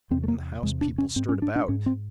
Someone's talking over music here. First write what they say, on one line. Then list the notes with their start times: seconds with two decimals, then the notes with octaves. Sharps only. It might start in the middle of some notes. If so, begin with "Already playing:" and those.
In the house people stirred about.
0.11 E2 C3 C4
0.23 A3
0.28 A#3
0.63 E2 C3 G#3
0.81 D4
0.98 C#4
1.16 G#2 C4
1.29 C#4
1.42 D4
1.56 D4
1.68 G#2 C#4
1.86 C4